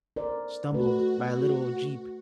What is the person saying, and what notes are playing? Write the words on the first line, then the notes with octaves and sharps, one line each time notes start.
stumbled by a little jeep,
A#4 C5 D5
A3 F#4 B4